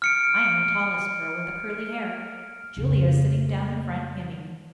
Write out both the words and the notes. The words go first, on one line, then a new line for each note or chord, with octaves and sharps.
I am the tallest girl, with the curly hair. Julia is sitting down in front, hemming.
F6 C#7 D7
F2 C#3